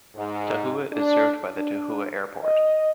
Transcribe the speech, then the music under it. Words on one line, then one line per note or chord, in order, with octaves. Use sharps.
Tahoua is served by the Tahoua Airport.
G#2
D4
D4
D#5